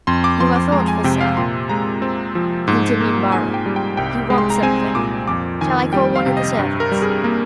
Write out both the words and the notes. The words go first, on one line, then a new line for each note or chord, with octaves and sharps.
"You are thoughtful, sir," continued Morrel; "you want something; shall I call one of the servants?"
F2 C6
D6
F3 C6
D6
G#3 A#5
G#5
C3 G5
F5
A#2 C6
G#3 A#5
C4
F3
G#2
A#3
G#2 G#5
G5
G3
G5
C2 G5
G#3
C6
A#5
C4 G#5
A#2 D6
F2 D6
D#3 G#5
G3 G5
F5
C3
D#5
G2
A#4
G3
G#4
A#3